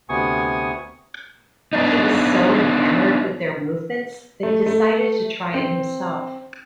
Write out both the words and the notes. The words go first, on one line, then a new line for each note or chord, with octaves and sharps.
He was so enamored with their movements that he decided to try it himself.
D2 C3 B3 G#5 C#6 D#6
B3 D4 D#4
A3
A3
C4